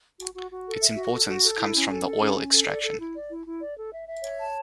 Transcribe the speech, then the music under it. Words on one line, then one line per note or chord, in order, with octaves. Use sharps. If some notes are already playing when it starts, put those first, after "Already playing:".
Its importance comes from the oil extraction.
F#4
F#4
F#4
A4
E5
F#4
A4
F#4
A4
E4
C#4
A4
A4
C#4
C#4
A4
D5
A4
E4
D5
E4
E4
D5
A4
E5
E5
C#5
A5